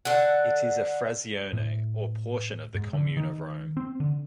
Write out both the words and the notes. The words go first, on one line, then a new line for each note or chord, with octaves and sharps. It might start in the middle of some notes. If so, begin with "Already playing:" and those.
It is a frazione, or portion of the commune of Rome.
D3 A4 F#5
A2
G#2
D3
D#3
C4
D3